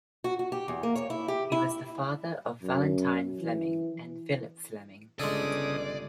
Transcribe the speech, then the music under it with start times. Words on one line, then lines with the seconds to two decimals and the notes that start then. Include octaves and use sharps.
He was the father of Valentine Fleming and Philip Fleming.
0.24 F#4
0.39 F#4
0.52 G4
0.68 E2
0.83 A#3
0.95 C#5
1.10 E4
1.28 G4
1.52 E4
2.63 F#2
3.41 E3
5.19 G1 C#3 G#3 D4 A4 D5 D#6